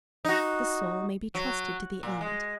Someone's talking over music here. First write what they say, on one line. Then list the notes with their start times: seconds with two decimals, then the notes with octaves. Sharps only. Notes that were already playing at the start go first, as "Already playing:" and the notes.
The soul may be trusted to the end.
0.25 D#4 F#4
1.35 F#3
2.03 A#2
2.21 G#3